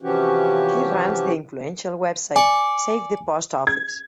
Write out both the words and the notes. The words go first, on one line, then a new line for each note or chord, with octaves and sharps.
He runs the influential website "Save the Post Office".
C3 E3 F3 C#4 F#4 G4
D5 G#5 C#6
G#6